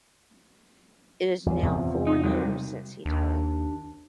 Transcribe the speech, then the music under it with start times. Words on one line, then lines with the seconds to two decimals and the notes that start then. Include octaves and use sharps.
It is now four years since he died.
1.46 E2
1.63 E2 C3 F3
2.07 D#4
2.23 C3 F#3 G3
3.05 D#2 D4